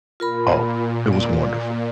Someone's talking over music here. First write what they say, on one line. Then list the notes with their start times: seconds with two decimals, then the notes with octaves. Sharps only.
Oh, it was wonderful,
0.20 A#2 F4 A#4 B5
1.13 D5